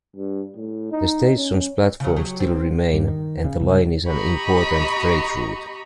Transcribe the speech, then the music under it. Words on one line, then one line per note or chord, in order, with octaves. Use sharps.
The station's platforms still remain and the line is an important freight route.
G2
A2
D#4
C#4
C#3 F#3
F#3 G4 G#4
C4
G2
D#3
C#3
C2
G4 D#5 A#5 B5 C#6